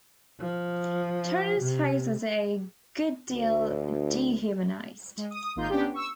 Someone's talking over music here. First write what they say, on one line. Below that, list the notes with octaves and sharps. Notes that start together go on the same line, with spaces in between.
Turner's face was a good deal dehumanized.
F3
C3
D2
G#3
D#6
G#1 A#3 D#4 F4 C6 G6
B3 C#4 D4 G4
C#6 E6